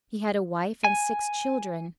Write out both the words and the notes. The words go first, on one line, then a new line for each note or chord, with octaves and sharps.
He had a wife and six children.
G#5